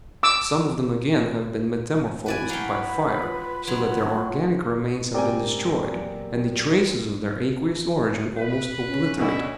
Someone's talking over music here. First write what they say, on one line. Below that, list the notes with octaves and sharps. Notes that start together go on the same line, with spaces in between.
Some of them again have been metamorphosed by fire, so that their organic remains have been destroyed, and the traces of their aqueous origin almost obliterated.
D6 E6
E4 B4 D5 G#5
F#3 B4 F5 G5 B5
F4
F#3
G#2 C#3 C4 G4 A#4 D5 G5 G#5
E2 A#2 F#3
B4
C#4
D2 B2 D3 E4